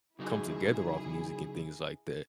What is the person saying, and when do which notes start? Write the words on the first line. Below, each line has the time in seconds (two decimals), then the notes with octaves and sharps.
come together off music and things like that,
0.19 C#3 F#3 D#4 E4 G#4